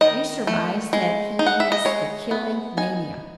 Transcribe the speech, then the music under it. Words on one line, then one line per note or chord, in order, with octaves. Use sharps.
We surmise that he has the killing mania.
D#3 D#5
A3
G#3
D#4
F#5
E5
D#5
G#3 C#5
B3
D#4 G#5